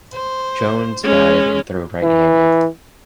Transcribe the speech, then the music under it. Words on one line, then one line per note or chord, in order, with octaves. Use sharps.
Jones batted and threw right-handed.
C5
G#3 C#4
E3